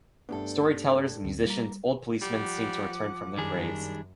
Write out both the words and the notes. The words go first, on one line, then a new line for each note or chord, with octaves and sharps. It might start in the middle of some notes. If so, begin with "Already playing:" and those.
Storytellers, musicians, old policemen seem to return from their graves.
G2 A3 B3 D4 G4 A4
D2 C4
G3 A#3 A#5
F3 G3 F#5 D6
F#2 D#3 G3 D4 G#4